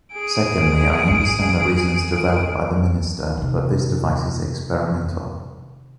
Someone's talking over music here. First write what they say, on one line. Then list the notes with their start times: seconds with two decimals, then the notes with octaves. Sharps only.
Secondly, I understand the reasons developed by the Minister, but this device is experimental.
0.13 G#4 D7
3.37 C3 D#3